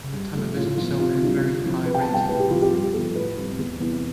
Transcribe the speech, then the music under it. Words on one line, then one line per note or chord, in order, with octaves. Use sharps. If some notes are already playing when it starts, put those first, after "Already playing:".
The television show had very high ratings.
G2
F3 A3
A2 F4
F3 B3 F4
C3 F4
E3 G3 D4
D3
F3 C4 E4
C3 B4
G5
A5
G3 B3
G5
A2 B4
G4
F3 C4 E4 F4
G4
G2
F3 B3 A4
A2 B4
G3 C4
E2
C3 E3 B3 E4